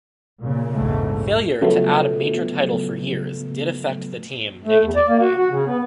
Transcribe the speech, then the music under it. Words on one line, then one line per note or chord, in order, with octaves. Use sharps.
Failure to add a major title for years did affect the team negatively.
A#2 C#3
A#1 E2 G#2 C#3 A3
C#3 F3 F#3 A3 B3
A3
E2
D5
A#3
F#4
F#4
C#3
B3